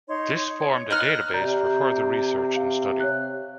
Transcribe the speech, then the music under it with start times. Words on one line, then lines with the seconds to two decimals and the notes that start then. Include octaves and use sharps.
This formed a database for further research and study.
0.07 D#4 C#5 C6
0.58 C#5
0.90 D#4 D#5 F#5 F6
1.34 C3 D5 A#5 G6
2.56 F5
3.00 C#5 F#6